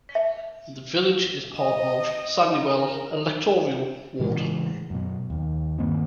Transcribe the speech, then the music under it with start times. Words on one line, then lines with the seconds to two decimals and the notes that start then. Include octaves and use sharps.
The village is part of 'Sandywell' electoral ward.
0.15 E5
1.59 D#5
2.47 D#4
2.78 A#4
4.19 A2 C#3 E3 G#3
4.90 F#2 B2
5.30 D#2
5.79 G2 D#3 A#3 C4